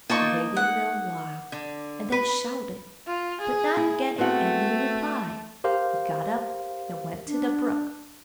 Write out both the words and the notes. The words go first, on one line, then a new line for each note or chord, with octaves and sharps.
He waited a little while, and then shouted; but not getting any reply, he got up and went to the brook.
A#3 D#4 F4 A5 C#6
F#5
D3
B4
F4
G#4
E4
A3 B3 C4 F#4
G4 A#4 C5 F5
D4